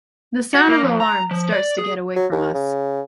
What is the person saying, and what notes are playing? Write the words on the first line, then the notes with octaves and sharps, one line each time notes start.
The sound of the alarm starts to get away from us.
F#4
A#3
F2
A#5
F3
D5
G#4
F#3
D#2
C#3